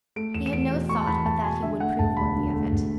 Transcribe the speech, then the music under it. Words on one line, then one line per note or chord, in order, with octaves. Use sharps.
He had no thought but that he would prove worthy of it.
A3 D7
E2 E7
E7
E2 D7
B2
A3 C#6
A5
E2 B5
E2 A5
B2 G#5
D3 E5
A3 F#5
E1 A5
D2 B5
D3
A3
E1